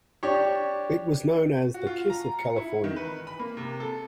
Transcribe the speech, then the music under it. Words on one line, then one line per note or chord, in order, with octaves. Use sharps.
It was known as the Kiss of California.
D4 G4 C#5
F#4
F4
A#5
C#7
E4
D#3
B4
B5
A#3
C3
A4